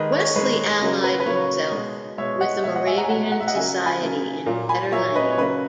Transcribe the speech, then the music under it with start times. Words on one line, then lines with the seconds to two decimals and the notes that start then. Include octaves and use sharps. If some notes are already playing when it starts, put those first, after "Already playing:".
Wesley allied himself with the Moravian society in Fetter Lane.
Already playing: D#3 G#3 B4 D#5
0.12 C#5
0.36 D#3 G#3 B4
0.81 C#3 F#3 A#3
1.04 B4
1.20 B4
1.26 C#3 F#3 A#3 C#5
1.72 B2 G#3
2.18 B2 G#3 C#5 E5
2.40 D#5 F#5
2.64 B2 G#3 C#5 E5
2.75 D#5 F#5
2.87 E5 G#5
2.97 F#5 A#5
3.04 G#5
3.09 B2 G#3 F#5 A#5
3.32 F#5
3.40 E5
3.47 D#5 F#5
3.55 C#3 F#3 A#3 E5 G#5
3.86 G#5 B5
4.01 C#3 F#3 A#3
4.46 A#2 F#3 A#3
4.69 G#5 B5
4.92 A#2 F#3 A#3 C#5 E5
5.15 B4 D#5
5.32 C#5
5.37 C#3 F#3 A#3 B4